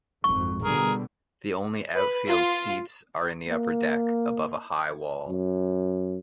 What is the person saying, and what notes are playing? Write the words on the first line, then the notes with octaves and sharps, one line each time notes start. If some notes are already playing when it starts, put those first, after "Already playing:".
The only outfield seats are in the upper deck, above a high wall.
G#1 F2 G#2 C#6
B2 D3 G3 G#4 A#4
B4
F4
A#3
F#2